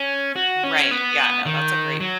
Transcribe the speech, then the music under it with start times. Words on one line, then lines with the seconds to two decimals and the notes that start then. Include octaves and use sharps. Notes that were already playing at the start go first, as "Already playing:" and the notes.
Right, yeah, no, that's a great
Already playing: C#4
0.36 F#4
0.64 C#4
0.91 B3
1.46 D#3
2.00 F#3